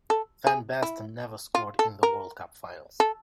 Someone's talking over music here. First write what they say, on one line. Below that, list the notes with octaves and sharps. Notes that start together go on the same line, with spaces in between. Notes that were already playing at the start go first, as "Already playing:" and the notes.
Van Basten never scored in the World Cup Finals.
A4
G#4
E4
F4
A4
A#4
A4